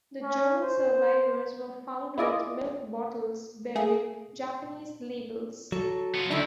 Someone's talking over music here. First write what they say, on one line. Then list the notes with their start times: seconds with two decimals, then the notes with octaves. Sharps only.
The German survivors were found with milk bottles bearing Japanese labels.
0.23 C#4
0.63 C5
2.18 E4 F4 G#4 D5 D#5
3.75 A3 G#4
5.72 F#3 A4
6.15 B3 F4
6.30 D2 D#3 D4 E4 E5